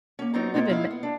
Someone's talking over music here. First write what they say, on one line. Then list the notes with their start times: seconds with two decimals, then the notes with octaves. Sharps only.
We've been ma
0.19 A#3 C#4
0.34 F#3 B3 C4 D#4 F4 A#5
0.54 G#3 A#3 B3 F4
0.69 G#3 E4 F5
0.91 B3
1.03 D4